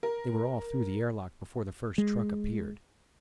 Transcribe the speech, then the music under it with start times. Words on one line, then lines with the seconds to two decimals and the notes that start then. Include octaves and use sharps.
They were all through the air lock before the first truck appeared.
0.03 A#4
1.98 G#3